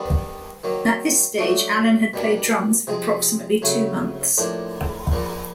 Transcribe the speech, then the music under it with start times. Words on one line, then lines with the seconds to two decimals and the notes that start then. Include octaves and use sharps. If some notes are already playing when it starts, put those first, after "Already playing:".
At this stage, Allen had played drums for approximately two months.
Already playing: D#3 G3 B3 D4
0.64 D#3 F#3 A#3
1.38 F#3 A3 D4 F#4
2.14 B2 G3 A#3 D4
2.87 C3 F3 G#3
3.62 C#3 F#3 A3
4.38 A2 F3 A#3 D4
5.12 A#2 F3 A#3